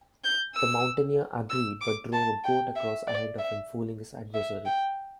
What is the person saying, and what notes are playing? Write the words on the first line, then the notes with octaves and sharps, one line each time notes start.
The mountaineer agreed, but drove a goat across ahead of him, fooling his adversary.
G6
E6
E6
D6
A5
G5
E5
D5
E5
E5
G5